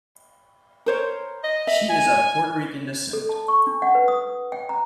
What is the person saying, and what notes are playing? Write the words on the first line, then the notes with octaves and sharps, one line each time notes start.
She is of Puerto Rican descent.
A#4 C5 C#5
D#5
E5
G#5
A4
A5
C#6
D4
F#5
B4
D#6
G5
A#5